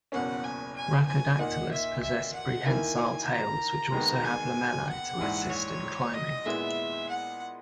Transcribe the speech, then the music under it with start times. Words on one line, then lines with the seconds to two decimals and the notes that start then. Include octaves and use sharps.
"Rhacodactylus" possess prehensile tails which also have lamellae to assist in climbing.
0.12 F#1 E2 B2 A#3 C#4 F#5
0.44 G#5
0.76 G#5
1.07 G#5
1.39 A#2 A#3 D#4 F#5
1.71 E5
2.02 E5
2.34 F#5
2.66 D#3 A#3 E4 G#5
3.29 A#5
3.92 D#2 D#3 G#3 B3
4.24 G#5
4.88 F#5
5.18 A#1 G#2 E3
5.50 C#5
6.14 D#5
6.46 A#2 G#3 B3 E4 E5
7.09 F#5